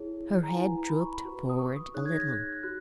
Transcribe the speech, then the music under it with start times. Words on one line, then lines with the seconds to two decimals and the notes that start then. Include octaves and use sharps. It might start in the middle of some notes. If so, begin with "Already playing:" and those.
Her head drooped forward a little.
Already playing: E4 G#4 C#5
0.43 A#5
0.49 G#5
0.55 E4 B4 F#5
0.67 F#5
0.78 A#5
0.89 B5
1.00 C#6
1.12 B5
1.25 F#4 B4
1.49 D#6
1.59 C#6
1.76 D#6
1.94 D#4 G#4 C#5 F#6
2.06 G#6
2.12 A#6
2.17 G#6
2.29 F#6
2.53 F#6
2.63 F#4 F#6